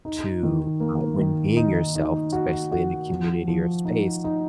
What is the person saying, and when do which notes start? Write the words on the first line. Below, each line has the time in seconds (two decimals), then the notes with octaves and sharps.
to, uh, when being yourself, especially in a community or a space,
0.05 D#4
0.43 D#3
0.80 A#3
1.19 D#3
1.57 D#4
1.95 D#4
2.33 F#4
2.71 F#4
3.10 F3
3.48 F3
3.85 D#4
4.24 D#4